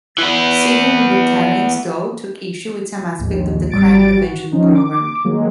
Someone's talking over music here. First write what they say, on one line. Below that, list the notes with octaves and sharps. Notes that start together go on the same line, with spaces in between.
Civil libertarians, though, took issue with some aspects of the crime-prevention program.
E3 B3
A#1 D#2 G#2
G#1 G3 A6 D7
F#4
F3 C#4 D#4
D6
D#3 F#3 G#3 A#3